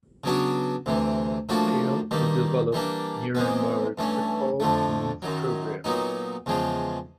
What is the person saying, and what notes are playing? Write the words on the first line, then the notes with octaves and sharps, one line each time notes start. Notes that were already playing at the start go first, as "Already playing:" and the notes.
They help to develop Myanmar Football and Youth program.
C#3 F#3 B3 D4 F#4
D2 C3 E3
A2 F3 A#3 D4 F#4
G2 D#3 G3 A#3
E3 G3 A#3 D4
C3 E3 G#3 B3
G2 E3 A3 C#4
F2 D3 F3 A3
F#2 D#3 F#3
A#2 F#3 B3 D#4
E2 C#3 F3 G#3